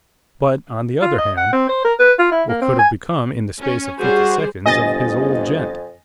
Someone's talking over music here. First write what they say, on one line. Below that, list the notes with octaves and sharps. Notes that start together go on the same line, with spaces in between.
But, on the other hand, what could have become--in the space of fifty seconds!--of his 'old gent'?
F4
D#5
F#5
C4
C5
A#4
B4
F4
E4
A#3
C4
G#5
C#4
G3 F#4 G#4 C5
G1 F2 D#5 G#5 A6 A#6